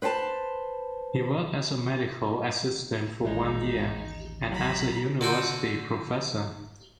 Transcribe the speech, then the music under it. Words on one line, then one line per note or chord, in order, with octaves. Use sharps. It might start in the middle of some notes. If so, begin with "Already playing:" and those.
He worked as a medical assistant for one year and as a university professor.
B4 C5 G5 A5
A1 D#2 A2 G#3 D#4
F#3 A#5 B5
D3 F#4 G5 C6